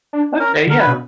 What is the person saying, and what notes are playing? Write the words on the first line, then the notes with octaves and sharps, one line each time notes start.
Okay. Yeah.
D4
C#4 A#4
D3 A#4
B4
B2